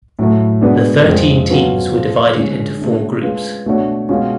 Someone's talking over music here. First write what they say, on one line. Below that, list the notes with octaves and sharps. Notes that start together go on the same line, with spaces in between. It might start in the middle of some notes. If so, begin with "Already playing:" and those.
The thirteen teams were divided into four groups.
A2 F#3 A3
B2 G#3 B3 D4
F2 F3 G#3
B2 F#3 C#4 F4 B4
F3 B3 F4
D3 G#3 C#4
B2 A3 D4
G#3 C#4 F4 G#4 B4
B2 A3 D4 F#4 C#5
B2 G#3 C#4 F4